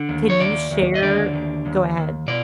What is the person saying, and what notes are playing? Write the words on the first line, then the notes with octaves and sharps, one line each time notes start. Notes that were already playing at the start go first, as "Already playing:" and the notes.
Can you share Go ahead.
Already playing: D3
D#2
C#5
D#2 D5
D#2
D#5
D3 D5
D#2
D#2
D#2
B2 D5